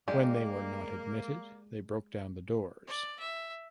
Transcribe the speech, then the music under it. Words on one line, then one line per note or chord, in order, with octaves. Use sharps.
When they were not admitted they broke down the doors.
G#3 A#3 G4 D5
D5
E5